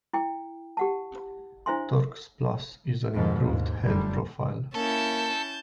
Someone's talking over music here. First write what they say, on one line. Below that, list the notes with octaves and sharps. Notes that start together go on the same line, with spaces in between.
Torx Plus is an improved head profile.
E4 G5
G4 F#5 A5
D4 E4 C5 E5 G#5 C6
F2 G#2 B2 D3 D#3 F3
D#2 G#2
F1 F#2 A2 D3 G3
A#3 C#4 E4 A4 A5 G6